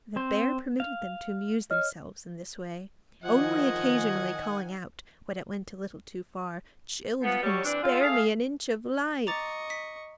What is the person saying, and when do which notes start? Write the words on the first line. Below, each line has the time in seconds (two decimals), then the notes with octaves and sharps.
The bear permitted them to amuse themselves in this way, only occasionally calling out, when it went a little too far, "Children, spare me an inch of life!"
0.16 C4 C5
0.80 F5
1.70 C#5 D#5 F6
3.23 D#3 F3 D#5 F#5 G#5 G#6
7.20 F3 B3
7.41 D#2 F#3 G3 C#5
7.63 E3 C4 D4
7.82 G#3 C4 F4
8.00 A3 G#4 F5
9.27 D#5 A#5 C#6 D6 A6
9.70 B6